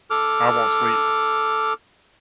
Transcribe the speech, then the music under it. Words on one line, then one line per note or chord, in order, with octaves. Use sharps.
I won't sleep.
A4 D6 F6